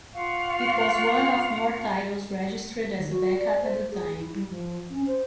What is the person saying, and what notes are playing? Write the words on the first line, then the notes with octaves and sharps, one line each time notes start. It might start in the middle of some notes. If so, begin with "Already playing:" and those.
It was one of more titles registered as a backup at the time.
F4 F5 F#5 C#6
D#3
F#4
D5
C5
G#4
E4
G3
F3
C#4
C5